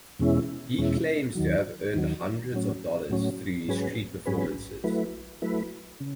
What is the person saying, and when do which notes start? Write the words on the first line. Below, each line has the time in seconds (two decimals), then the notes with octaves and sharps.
He claims to have earned hundreds of dollars through his street performances.
0.19 E2 B2 G#3 C#4 E4
0.78 E2 B2 G#3 C#4 E4
1.35 D#2 D#3 F#3
1.94 D#2 D#3 F#3
2.52 A2 F#3 C#4
3.10 A2 F#3 C#4
3.68 G#2 F#3 C#4 G#4 B4
4.26 G#2 F#3 C#4 G#4 B4
4.84 F#3 A3 E4 B4
5.42 F#3 A3 E4 B4
6.00 C#3